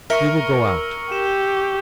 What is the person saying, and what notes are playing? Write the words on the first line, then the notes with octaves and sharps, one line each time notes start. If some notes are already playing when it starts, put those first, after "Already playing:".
We will go out.
A#4 E5 C#6 C#7 G7
E6
G4 E7